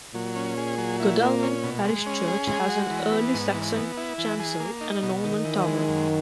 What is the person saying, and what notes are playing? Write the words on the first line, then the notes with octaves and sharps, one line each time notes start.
Godalming Parish Church has an early Saxon chancel and a Norman tower.
A#2 F#3
C#4
G#4
F#3
E4
A#3
C#4
B2
G#3
C#4
G#4
G#3
F#4
E3
B3
G#2
E3
B3
E4
E3
G#4
A#3
D#4
B2
D#3 D#4
E3
G#3
F#2